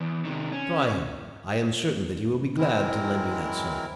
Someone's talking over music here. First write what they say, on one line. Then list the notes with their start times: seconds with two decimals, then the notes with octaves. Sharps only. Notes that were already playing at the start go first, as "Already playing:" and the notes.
"Try him; I am certain that he will be glad to lend you that sum."
0.01 E2
0.25 C3 D#3
0.52 C#4
2.58 E3 F#3 G#3 C4 E4 A#4